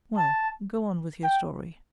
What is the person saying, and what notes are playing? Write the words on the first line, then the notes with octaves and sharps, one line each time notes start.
"Well, go on with your story."
A5
G5